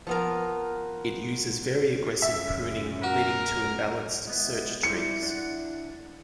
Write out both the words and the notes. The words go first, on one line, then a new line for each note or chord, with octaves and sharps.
It uses very aggressive pruning, leading to imbalanced search trees.
F3 B3 A#4
F#2 C#3 E5
F#4 A#4
G#3 B3 E4
G3 E4 C5 C#7
D4 F#5